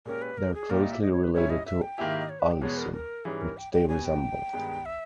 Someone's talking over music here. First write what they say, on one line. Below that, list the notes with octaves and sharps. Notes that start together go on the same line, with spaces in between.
They are closely related to "Alyssum", which they resemble.
A#2 G#3 C#4 G4 A#4
B4
A#4
G#4
A#2 A#3 E4 G4 A#4
D#5
E5
D#5
C#5
B4
G#2 G3 C#4 E4 C#5
D#5
E5
G5
G#2 D#3 A#3 E4 G4 G#5
E5
D#5
C#5
B4
G5
E2 B2 G#3 B3 C#5
A#4
A#4
G#2 E3 G3 C#4 G#4
A#4
G5
G5
B2 G3 B3 G#5
G5
G2 D#3 G#3 B3 D#4
E5